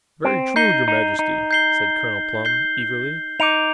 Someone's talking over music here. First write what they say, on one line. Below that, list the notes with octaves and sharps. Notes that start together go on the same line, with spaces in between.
"Very true, Your Majesty," said Colonel Plum, eagerly.
C4
D#4 G6 C7 G7
D#4
D#4
G6 C7 G7
G6 C7 G7
D#4 D6 G6 D7 F7